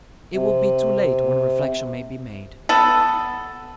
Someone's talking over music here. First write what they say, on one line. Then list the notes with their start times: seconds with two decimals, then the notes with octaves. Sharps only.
"It will be too late when reflection may be made."
0.34 C3
2.69 B3 A4